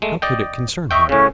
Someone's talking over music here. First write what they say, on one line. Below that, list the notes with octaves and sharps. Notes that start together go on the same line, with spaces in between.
How could it concern her?
G#3 A3
D5 D#5 G5
D#5 E5 G5 C#6
A2 C#3 C#4